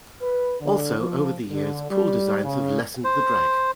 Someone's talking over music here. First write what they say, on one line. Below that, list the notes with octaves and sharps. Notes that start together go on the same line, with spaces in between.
Also, over the years, pool designs have lessened the drag.
B4
D3
F3
D3
G3
C#3
C5